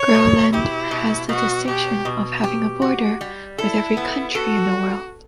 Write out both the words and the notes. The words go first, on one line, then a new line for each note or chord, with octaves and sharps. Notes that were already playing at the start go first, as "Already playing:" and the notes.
Groland has the distinction of having a border with every country in the world.
Already playing: C#5
B2
E4 G4
B2
B2 F#4
B2 G4
B2
G4
F#4
G3
E4 A4
B3
F#4 A4